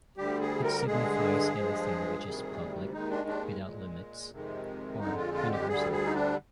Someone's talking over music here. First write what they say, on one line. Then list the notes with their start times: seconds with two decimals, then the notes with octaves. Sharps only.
It signifies anything which is public, without limits, or universal.
0.17 D2 D3 G3 G4
0.41 G#4
0.64 A#4
0.87 G2 D3 G#3 G#4
1.55 G2 F3 G#3
2.24 D2 C3 D#3 G3
2.93 D#2 D#3 G#3 D#4
3.10 D4
3.28 D4
3.62 A#2 G#3
4.31 F2 C3 D#3 G#3
5.00 F2 D3 G#3 D#4
5.17 F4
5.34 F4
5.52 G4
5.69 D2 D3 G3 G#4
5.92 G#4
6.06 D#4
6.15 D4